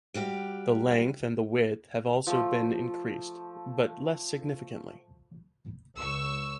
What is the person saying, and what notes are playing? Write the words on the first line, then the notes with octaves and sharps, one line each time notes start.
The length and the width have also been increased, but less significantly.
G3 F#4 G4 F5
F3 A3
C#2 C#6 E6